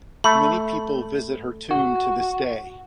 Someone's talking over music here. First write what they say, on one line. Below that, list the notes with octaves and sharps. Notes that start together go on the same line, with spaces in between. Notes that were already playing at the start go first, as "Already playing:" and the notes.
Many people visit her tomb to this day.
A3 B5
F#4